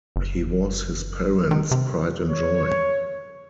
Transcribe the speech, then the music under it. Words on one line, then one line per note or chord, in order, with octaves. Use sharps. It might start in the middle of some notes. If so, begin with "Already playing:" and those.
He was his parents' pride and joy.
F#1
D#3
C3
C#5